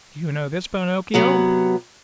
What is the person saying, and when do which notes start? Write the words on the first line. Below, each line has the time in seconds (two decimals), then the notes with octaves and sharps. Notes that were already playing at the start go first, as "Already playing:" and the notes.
"Do you know this Pinocchio?"
1.14 C3 F#3 B3